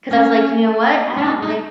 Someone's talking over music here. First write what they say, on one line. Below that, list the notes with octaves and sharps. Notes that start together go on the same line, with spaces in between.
'cause I was like, "You know what, I don't like
C#4
C#4
D#4
D#4